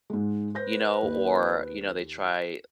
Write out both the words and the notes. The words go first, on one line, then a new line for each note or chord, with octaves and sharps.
you know or, you know, they try,
G#2 G#3
B4 C5 G6 A#6
D#2